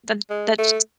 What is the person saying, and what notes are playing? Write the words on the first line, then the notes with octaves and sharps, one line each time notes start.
That that's just
G#3
A3